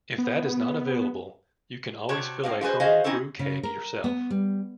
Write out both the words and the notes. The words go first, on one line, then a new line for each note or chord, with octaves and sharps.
If that is not available, you can always fill a home brew keg yourself.
B3
C3 F#4 C#5 A5
A2 C4 F5
F4 F#4 G#4 B4 C5
F#4 G#4 C5 D#5 F5
C4 C#4 D#4 E4 A4
C#3
A#4
B3
G3